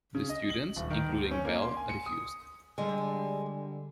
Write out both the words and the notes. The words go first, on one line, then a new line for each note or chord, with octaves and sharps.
The students, including Bell, refused.
C#3
D#5
F#7
D#1
D#3
D2
C#4
A#3
C6
G#5
C#7
D#6
D3 G3 G#3